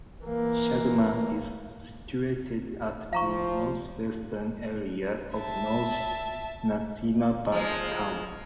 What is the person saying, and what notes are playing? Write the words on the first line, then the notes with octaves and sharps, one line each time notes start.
Shadman is situated at the northwestern area of North Nazimabad Town.
E3 A#3
F3 F5 A#5 C#6
E5 A5
F3 G#3